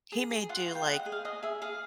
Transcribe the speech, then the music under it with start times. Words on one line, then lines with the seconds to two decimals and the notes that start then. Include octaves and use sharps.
he may do, like,
0.12 G#4
0.31 G#4
0.49 F4 F#5
0.68 F4
0.75 G5
0.87 D#5 F#5
0.99 F#5
1.06 G#4
1.12 F5
1.25 G#4 D#5
1.43 G#4 E5
1.62 G#4 F5